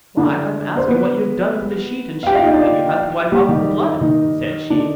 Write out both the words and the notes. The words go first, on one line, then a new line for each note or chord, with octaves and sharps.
'Why, I am asking what you have done with the sheet and shift that you had to wipe off the blood', said she.
D3 D4
C5
B3 B4
F5
G4 G5
F4 F5
D#4 D#5
D4 D5
G3 G4
D#3 D#4
D#3 D#4
D3 D4